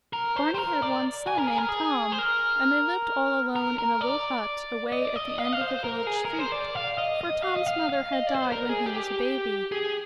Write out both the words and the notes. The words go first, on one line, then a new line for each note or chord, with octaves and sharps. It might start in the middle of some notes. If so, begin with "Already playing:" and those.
Barney had one son, named Tom; and they lived all alone in a little hut away at the end of the village street, for Tom's mother had died when he was a baby.
A#4
C5
C5
A#4
D5
G#4
A#4
G#4
A#4
G#4
C5
A#4
A#4
A#4
D5
D#5
D5
D#5
F5
D#5
F5
C5
A#4
G#4
A#4
C5
D5
F5
D#5
D#5
F5
D#5
F5
F5
D#5
D5
C5
A#4
G#4
G4
G#4